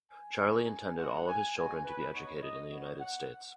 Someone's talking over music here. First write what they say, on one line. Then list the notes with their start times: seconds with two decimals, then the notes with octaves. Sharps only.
Charlie intended all of his children to be educated in the United States.
0.11 G#5
0.40 B3 D#4 F#4
0.98 G#3 D#4 F#4 F#5
1.27 G#5
1.55 G#3 C#4 F#4 G#5
1.84 B4
2.13 B3 D#4 F#4 C#5
2.42 D#5
2.71 B3 F#4 C#5
3.00 F#5